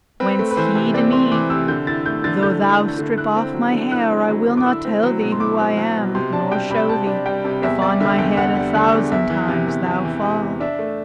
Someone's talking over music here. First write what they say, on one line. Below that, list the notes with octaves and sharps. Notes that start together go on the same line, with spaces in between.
Whence he to me: "Though thou strip off my hair, I will not tell thee who I am, nor show thee, If on my head a thousand times thou fall."
C4 B4
A3
B4
E3 C5
C3
C4 D5
A3 C6
E3 D6
C3 E6
D3 G6
E4 A6
A3 G6
D3 A6
D3 G6
E4
A3
D3
E4 F#6
C4
F#3
D3
E4 F#6
C4
F#3
D3
D6
E4 E6
C4
F#3
B2
C6
E4 D6
C4
F#3
B2
C3 C6
D4 A5
G3 G5
C3 B5
C3 A5
D4
G3 G5
C3
E2 E5
G3 D5
D3 E5
E2 G5
E2 F#5
G3
D3
E2
E2 E5
E3
C3
E2
E2
E3
C3
E2
D4 E5
A3